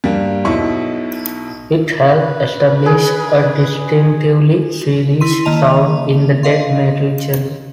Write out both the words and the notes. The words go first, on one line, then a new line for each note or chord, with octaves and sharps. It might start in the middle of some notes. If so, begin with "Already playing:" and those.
It helped establish a distinctively Swedish sound in the death metal genre.
G2 G3 A#3
B1 B2 E4 C#6
B4
G#4
E4 C6 D#7
D#3 A#3 D#5 A5 F7
D#5 F5 C6